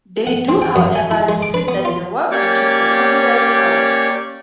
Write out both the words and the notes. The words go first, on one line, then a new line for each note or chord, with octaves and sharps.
They do, however, refute that the work breaches the copyrights held.
F#5
C4
G5
F#2
G#5
E4
G#3
D6
B4
B3
F4
A#3 C#4 G4 C#5 D5 D6